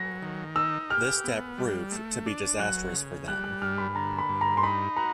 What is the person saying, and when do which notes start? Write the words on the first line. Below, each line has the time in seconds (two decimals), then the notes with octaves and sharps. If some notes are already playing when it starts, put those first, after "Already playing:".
This step proved to be disastrous for them.
Already playing: F#3 A#6
0.22 D#3
0.56 D#4 E6
0.90 G4 F6
1.24 B3
1.58 G3
1.92 A3
2.26 D4
2.59 F#3 F#6
2.93 C#3
3.28 G3 F#6
3.44 F#6
3.62 G2 F6
3.78 B5
3.95 D3 A#5
4.19 B5
4.29 G2
4.41 A#5
4.57 C6
4.63 D#4 B5
4.97 F#4 A#5